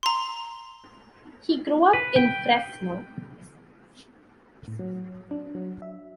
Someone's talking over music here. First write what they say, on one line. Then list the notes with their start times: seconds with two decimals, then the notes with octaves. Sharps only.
He grew up in Fresno.
0.03 A#5 C6
1.93 B4
2.16 G5
4.68 A2
4.79 F#3
5.31 D4
5.55 F#3
5.82 E5